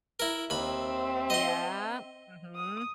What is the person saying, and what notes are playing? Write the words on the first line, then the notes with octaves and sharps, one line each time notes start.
Yeah. Mhm.
E4 A#4
D#2 C4 E5 B5
D#5 C6
D#6